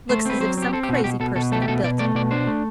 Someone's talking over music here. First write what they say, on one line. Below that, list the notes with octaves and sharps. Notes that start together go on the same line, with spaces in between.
Looks as if some crazy person had built it.
A3 C5
C4 B4
F#3 C5
C4 G4
C4 A4
G4
B2
F#4
B2 G4
B2 A4
B2 A4
A3 A4
G4
B2 A4
B2 D5
A3 D5
B2 D5
D4 C5
A3